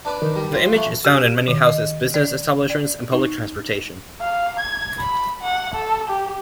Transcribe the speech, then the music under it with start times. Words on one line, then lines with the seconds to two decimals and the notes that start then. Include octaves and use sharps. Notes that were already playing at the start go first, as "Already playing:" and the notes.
The image is found in many houses, business establishments, and public transportation.
0.05 D4 B4 D5
0.22 D#3
0.36 G3
0.53 F4
0.72 E3 A3
1.05 G4
1.48 D#3
1.67 D#5
2.14 D5
2.70 D5
3.12 D#4
4.21 F5
4.60 G#6
5.00 B5
5.42 F#5
5.74 A4
6.09 G4